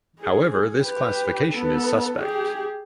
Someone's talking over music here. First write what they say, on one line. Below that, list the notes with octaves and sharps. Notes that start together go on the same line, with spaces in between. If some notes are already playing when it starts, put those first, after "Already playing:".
However, this classification is suspect.
G#4
G4 B4
B3 A4
G4 G#4